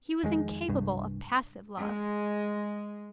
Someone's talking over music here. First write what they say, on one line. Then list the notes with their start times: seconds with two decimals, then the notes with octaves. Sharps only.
He was incapable of passive love.
0.23 F2 D#3 G#3
0.69 C2 G2
1.77 G#3